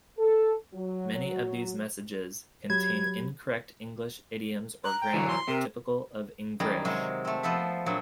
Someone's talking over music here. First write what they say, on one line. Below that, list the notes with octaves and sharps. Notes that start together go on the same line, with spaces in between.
Many of these messages contain incorrect English idioms or grammar typical of Engrish.
A4
F#3
F#3 G4 B5 G#6
A#5 F#6
G5
D3 E3 F#3
C6
C3 A#4
F#2 D#3 G3 G#4 A#5
C3 F#3 G#3
A3 C4
F3 B3 A4 C5 E5
A#2 F#3 C4 D4